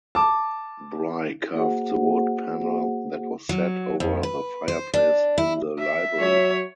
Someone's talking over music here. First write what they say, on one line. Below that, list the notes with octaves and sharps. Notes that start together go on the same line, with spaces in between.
Bry carved the wood panel that was set over the fireplace in the library.
A5 D6
A#3 F#4 G#4 C5 F#5
F#3
F2
B4
C5
D4
E4
E5
F#3 C#5